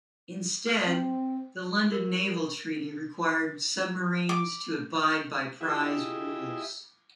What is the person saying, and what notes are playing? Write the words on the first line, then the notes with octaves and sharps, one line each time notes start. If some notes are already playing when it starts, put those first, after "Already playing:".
Instead, the London Naval Treaty required submarines to abide by prize rules.
C4
A#4
D6
E4 F4 G4 G#4 D#5 E5